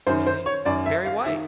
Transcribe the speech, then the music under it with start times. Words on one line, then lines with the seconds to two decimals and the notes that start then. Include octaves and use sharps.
Whitney, Barry White.
0.07 F#2 D#3 C5
0.26 C5
0.46 C#5
0.65 F#2 D#3 D5
0.86 E5
1.05 F5
1.25 D#3 E5